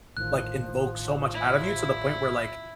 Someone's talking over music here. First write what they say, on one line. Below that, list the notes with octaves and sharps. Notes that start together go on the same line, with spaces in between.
like invoke so much out of you to the point where like
A1 A2 D#3 F3 F#6
E4